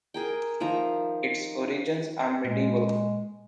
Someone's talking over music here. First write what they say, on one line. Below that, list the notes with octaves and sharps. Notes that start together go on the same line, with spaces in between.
Its origins are medieval.
G#4 A#4 G5
D#3 F3 E5 A#5
A#2 G#3